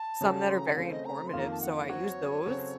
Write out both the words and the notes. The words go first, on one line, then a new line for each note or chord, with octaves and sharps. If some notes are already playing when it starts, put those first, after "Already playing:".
some that are very informative, so I use those.
Already playing: A5
C#3 F#3 A3 C#4 F#4
C6
A#5
F#5
C#3 A3 C4 F5
D#5
A#5
C6
F2 D#3 A#3 F4
A#5
A5
F#5
F5
F#3 C4 F#4 C#5
C#3 F#3 C4 F#4 A4